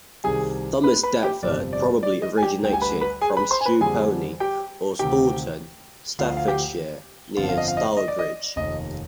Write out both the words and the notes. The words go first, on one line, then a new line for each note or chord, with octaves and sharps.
Thomas Dadford probably originated from Stewponey or Stourton, Staffordshire near Stourbridge.
C2 C3 D#3 G3 G#4 G#5
B4 B5
B4 B5
G4 G5
G1 F2 C3 G3 D5
D5
D5
D#5
G#5
G4 G5
D2 D3 G3 G5
G#5
B4 B5
B4 B5
G#4 G#5
B4 B5
C5 C6
G#5
B4 B5
F2 D3 G3 G#4 G#5
G4 G5
D2 C3 D#3 G4 G5
D2 D3 F3 F4 F5
F5
G4 G5
G1 F2 D3 F3 F4 F5
F5
D#5
F5
D#5
D#5
D5
D#5
F1 D#2 D#3 D#5